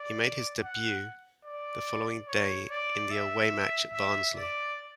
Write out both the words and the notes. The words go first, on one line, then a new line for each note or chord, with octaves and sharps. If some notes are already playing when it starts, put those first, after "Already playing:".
He made his debut the following day in the away match at Barnsley.
Already playing: D5
F#5
D5
C#5
D5
E5
E5
D5